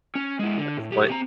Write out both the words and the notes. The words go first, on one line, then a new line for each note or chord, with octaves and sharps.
at this point?
C#4
G#3 E4
D3
A2
B1 G4
C4 A#5